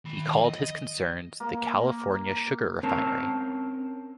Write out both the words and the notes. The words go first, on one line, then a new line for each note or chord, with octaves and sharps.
He called his concerns the "California Sugar Refinery".
D#3 B5
D#5
A#3
C4 C#4 A#4 C5 A5 A#5